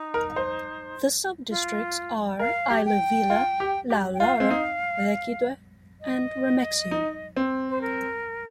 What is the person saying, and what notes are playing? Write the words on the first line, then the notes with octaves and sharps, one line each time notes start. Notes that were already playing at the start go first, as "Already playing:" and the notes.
The subdistricts are Aileu Vila, Laulara, Lequidoe and Remexio.
Already playing: D#4
A#4
C5
F4
A#4 F5
G4
G5
F4
G4
G4
G5
F4 F5
C4
D#4
D#5
D#4
C4
C5
A#4